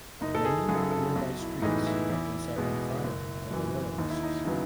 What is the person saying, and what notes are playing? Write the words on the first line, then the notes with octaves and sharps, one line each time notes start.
Many nearby streets had been set on fire by the loyalists.
F#1 D#4
A4
G#4
F#2 C#3 F#3 G#4
A4
G#4
A4
B1
E4
A2 E3 G#3 B3 D#4
E4
E2
B2 G#3 B3
F#1
F#2 E3
D#2 D#4
E4
D#4
C#3 F#3 B3